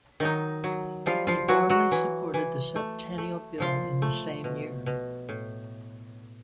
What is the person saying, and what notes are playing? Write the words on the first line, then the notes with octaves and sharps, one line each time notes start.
He warmly supported the Septennial Bill in the same year.
D#3 F#3 D#4
F#3
F3 G3 F4
F3 F4
E3 F#3 F#4
F#3 F#4
E3
E3
A3
A3
A#2 F3 F4
A3
B2
B2
A2